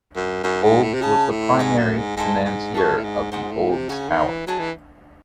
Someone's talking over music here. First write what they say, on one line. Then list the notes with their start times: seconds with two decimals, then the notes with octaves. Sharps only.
Olds was the primary financier of the Olds Tower.
0.16 F#2
0.44 F#2 D#4 G#4 C#5
0.64 G#2
0.83 A2
0.94 C3
1.02 C#3 G#4 D#5 A5 D#6
1.30 A2
1.59 G#2 C#5 G#5 C#6
1.78 F#2
1.98 G#2
2.17 G#2 E4 A4 C5 D#5
2.45 G#2
2.74 F#2 A4 D#5 A5 C#6
2.98 A2
3.04 G#2
3.32 G#2 C5 F#5 C6 D#6
3.52 A2
3.70 C3
3.89 C#3 F#4 C#5 G#5
4.09 D#3
4.28 E3
4.47 F#3 E4 G#4 D#5 A5
4.59 E3